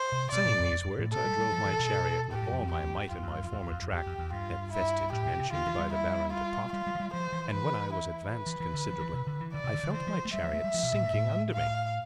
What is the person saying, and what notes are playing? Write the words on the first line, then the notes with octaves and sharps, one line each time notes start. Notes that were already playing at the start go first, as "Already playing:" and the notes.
Saying these words, I drove my chariot with all my might in my former track, that vestige mentioned by the Baron de Tott, and when I was advanced considerably, I felt my chariot sinking under me.
Already playing: C5
C3
B2 D5
A2
F2
F2
A2
B2 A4
G3
G3
F3
E3
A2
B2
A2 G4
G2
F2
F2
E2 G4
F2 F4
F2
G2
F2
E2
F2
F2
F2
E2 G4
F2
E2
G2 F4
E4
A2 G4
B2
C3
D3 F4
E3
G3
E4
F4
G3 F4
G3
F3
G3
F3 C5
E3
E3 B4
E4
B4
E3
E3
D3
F3
E3
C3
D3
E3
D3 D5
C3
D3
D3
E3 C5
F3
A3
G3 E5
F3
A3
G3
F3
B2
A2
G2
A2
F5